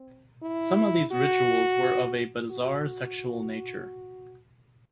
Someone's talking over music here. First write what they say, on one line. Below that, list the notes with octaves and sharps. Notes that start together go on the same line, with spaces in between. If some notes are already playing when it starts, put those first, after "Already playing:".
Some of these rituals were of a bizarre sexual nature.
Already playing: C4
E4
F#4
F#4